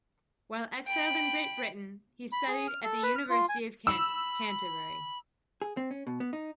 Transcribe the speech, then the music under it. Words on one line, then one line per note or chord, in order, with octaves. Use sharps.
While exiled in Great Britain he studied at the University of Kent, Canterbury.
G5 B5
B5
G#4
F6
A4
B4
F6
F4
G#5
B5 E6
G#4
C4
C#4
B2
B3
D#4